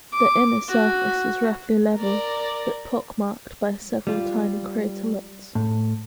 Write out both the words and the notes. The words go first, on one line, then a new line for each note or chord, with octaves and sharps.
The inner surface is roughly level, but pock-marked by several tiny craterlets.
D6
F#4
A#4 D5
G3 F4
A2